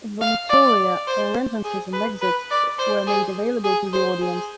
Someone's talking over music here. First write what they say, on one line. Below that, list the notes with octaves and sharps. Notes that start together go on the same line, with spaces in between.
"Vomitoria" or entrances and exits were made available to the audience.
F5
D5
C5
G#4
B4
B4
D5
C5
G#4
G#4
C5
G#4